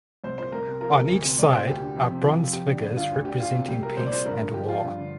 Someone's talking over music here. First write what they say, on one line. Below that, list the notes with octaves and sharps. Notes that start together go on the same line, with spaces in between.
On each side are bronze figures representing peace and war.
C2 C5
A#2 C5
C2 A#4
C3
F3 A#4
F3
D2
C3
C2 D5
A#2 C5
D2 G4
D3
F2
C3
F3
F3
F2 G4
D3
G2
D3 F4
D2
D3 G4
D2 F4
C3
C2 G4
A#2 A#4
C2 C5
D5
A#2 C5
G2 A#4
D3
F3 G4
F3 F4
G2
D3